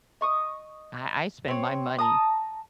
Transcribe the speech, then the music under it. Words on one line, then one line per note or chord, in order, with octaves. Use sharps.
I I spend my money
D#5 C#6 D#6
C4 C#5
A5 A#5 D#6